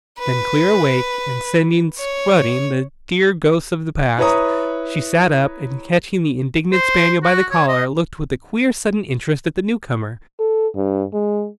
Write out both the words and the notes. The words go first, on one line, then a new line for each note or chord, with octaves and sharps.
Then clear awake, and sending scudding the dear ghosts of the past, she sat up, and catching the indignant spaniel by the collar, looked with a queer, sudden interest at the newcomer.
B4
C#5
E4 B4 C#5 A#5 D#6
C5
F#4
C#5
D#5
A4
G2
G#3